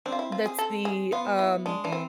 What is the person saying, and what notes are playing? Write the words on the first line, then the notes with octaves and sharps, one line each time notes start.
that's the, um,
C4 D4
F4
E4
F4
G#4
A4
G#4
B3 F4
E4
G#3 D4
E3 D4
C4